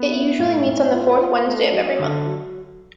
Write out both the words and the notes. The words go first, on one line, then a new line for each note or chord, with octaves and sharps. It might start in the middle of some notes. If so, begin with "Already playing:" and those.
It usually meets on the fourth Wednesday of every month.
Already playing: B3
E4
A2
A2
F4
F4
A3
F#3
D3
F#3